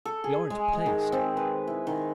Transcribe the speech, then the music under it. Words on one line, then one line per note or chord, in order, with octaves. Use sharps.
We aren't placed.
A4
G#4
G#3
G#3
D#3
C4
B4
E4
D#3